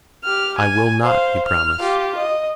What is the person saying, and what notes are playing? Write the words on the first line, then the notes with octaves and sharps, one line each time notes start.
"I will not," he promised.
G4 F6
G#5
C5 F5
F6
F4 G4
D#5